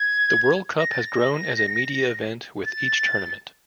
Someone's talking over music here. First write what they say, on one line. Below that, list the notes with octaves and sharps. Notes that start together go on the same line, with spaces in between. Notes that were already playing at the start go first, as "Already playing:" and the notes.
The World Cup has grown as a media event with each tournament.
Already playing: G#6
A#6
A6
A#6
A6